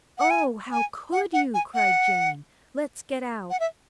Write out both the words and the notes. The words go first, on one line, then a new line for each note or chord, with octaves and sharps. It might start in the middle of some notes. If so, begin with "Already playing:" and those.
'Oh, how COULD you!' cried Jane. 'Let's get out.'
F#5
G#5
G#5
F#5
F#5
G#5
F#5
F#5
E5